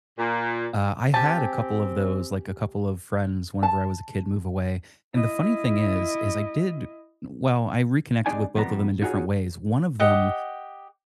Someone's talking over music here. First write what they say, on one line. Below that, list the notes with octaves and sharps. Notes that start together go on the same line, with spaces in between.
uh, I had a couple of those like, a couple of friends whenever I was a kid move away, and the funny thing is, is I did well, I reconnected with both of them in different ways, one of them
A#2
C4 G4 G#5 A5
A5
E4 D#5
C3 G#3 D4 D#4 D5 G#5
C3 F3 G3 B3 A#5
D#4 F4 F#4 G#4 C#5
G4 D#5 F#5